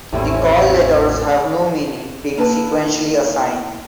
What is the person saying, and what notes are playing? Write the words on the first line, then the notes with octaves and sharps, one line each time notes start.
The call letters have no meaning, being sequentially assigned.
A1 E2 A2 G3 C4 C#4 E4
A#3 E4 B4 A5